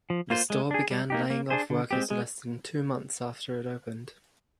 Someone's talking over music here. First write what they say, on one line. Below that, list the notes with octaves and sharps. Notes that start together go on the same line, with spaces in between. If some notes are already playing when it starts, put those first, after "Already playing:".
The store began laying off workers less than two months after it opened.
F3
A#3 F4 C5
G#3
D4 G#4
G3
A#3 D#4 G4
A#3
D4 G#4 C5
D3
G#3 C4 G4
G#3